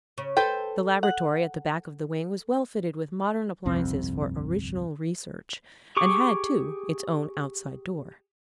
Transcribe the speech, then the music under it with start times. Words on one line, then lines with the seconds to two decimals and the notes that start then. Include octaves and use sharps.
The laboratory, at the back of the wing, was well fitted with modern appliances for original research, and had, too, its own outside door.
0.18 C#3
0.37 A4 B4 C5 G5
1.03 F#5
3.65 G1 C2 F2 C4
5.97 G4 G#4 C#6 D6